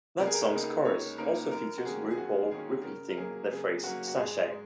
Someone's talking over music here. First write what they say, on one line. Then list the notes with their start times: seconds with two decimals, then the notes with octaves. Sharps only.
That song's chorus also features RuPaul repeating the phrase Sashay!
0.19 C#2 A#4
0.27 G#4
0.33 A#4
0.53 C#3 A#3 D#4
0.85 C#2 C#5
1.18 C#3 A#3 D#4 A#4
1.51 F#2 A#4
1.78 F#4
1.85 D#3 A#3 C#4 G#4
2.11 G#4
2.17 F#2 F#4
2.51 D#3 A#3 C#4 G#4
2.84 C#3 A#4
3.10 A#4
3.17 F#3 A#3 C#4 G#4
3.51 C#3 G#4
3.84 F#3 A#3 C#4 F#4
4.08 F#4
4.17 G#2 G#4
4.51 G#3